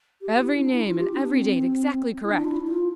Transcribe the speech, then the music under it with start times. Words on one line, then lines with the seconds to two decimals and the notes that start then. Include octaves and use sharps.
Every name and every date exactly correct.
0.21 G4
0.39 E4
0.56 D4
0.73 E4
0.87 F4
0.99 G4
1.13 D4
1.26 C4
2.24 E4
2.31 D4
2.45 F4
2.48 E4
2.67 F4